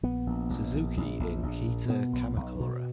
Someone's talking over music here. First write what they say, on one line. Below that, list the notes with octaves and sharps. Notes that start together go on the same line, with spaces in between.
Suzuki in Kita-Kamakura.
A#1 B3
A#1
A#1
A#1
A#1
A#1
A#1
A#2
B2 B3
B1
B1
B2